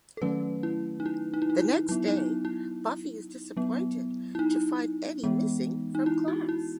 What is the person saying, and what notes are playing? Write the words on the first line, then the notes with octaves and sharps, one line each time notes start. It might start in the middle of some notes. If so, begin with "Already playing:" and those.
The next day, Buffy is disappointed to find Eddie missing from class.
A4
D#3 F#3 A3 C#4 B4
E4
D#4
E4
D#4
E4
D#4
E4
F#3 B3 E4
D#4
E4
E4
F#3 B3
E4
D#4
E3 G#3 B3
D#4
E4
F#4
E4